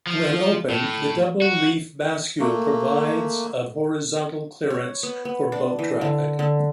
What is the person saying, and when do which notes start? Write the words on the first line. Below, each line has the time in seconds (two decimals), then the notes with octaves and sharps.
When open, the double-leaf bascule provides of horizontal clearance for boat traffic.
0.07 F3
0.70 A2
1.42 F#4
2.40 A3 A#3
4.70 C#5
5.03 B3
5.25 B3
5.52 D4
5.79 E3
6.01 D3
6.39 D3